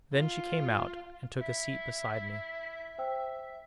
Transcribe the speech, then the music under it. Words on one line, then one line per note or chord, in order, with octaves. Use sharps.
Then she came out, and took a seat beside me.
F4
E4 E5
C5 G5 E6